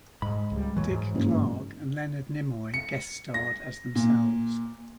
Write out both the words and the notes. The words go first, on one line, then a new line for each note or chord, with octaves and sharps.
Dick Clark and Leonard Nimoy guest starred as themselves.
G#2 G#3 B5
C#2 G3
D#2 A2 E3 F#3
G#2
F#1 G2
C#7
A#6
A#2